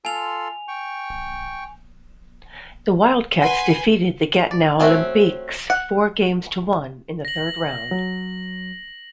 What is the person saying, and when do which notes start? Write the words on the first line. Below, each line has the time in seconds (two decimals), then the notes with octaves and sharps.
The Wildcats defeated the Gatineau Olympiques four games to one in the third round.
0.05 F4 A4 G#5 C6 F7
0.68 G5 C#6
3.42 B4 F#5 G#5 C6
4.51 D5
4.80 A3 C4 C#4 F#4 E5
5.70 F#5
7.25 A#6 F#7
7.91 F#3